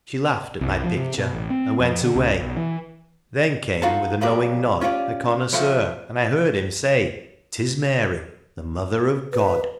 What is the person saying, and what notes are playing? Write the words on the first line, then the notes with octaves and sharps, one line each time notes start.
She laughed at my picture, and went away. Then came, with a knowing nod, A connoisseur, and I heard him say: "'Tis Mary, the Mother of God."
C2
F3
C3
B2
A1
C4
F2
D3
C#2
B1
E3
D#4 F4 F#4 A4 F5 A5
F2 A#2 F#3 G4 D5
C#4 F4 G4 C#5 D5
A2 F3 A3
B4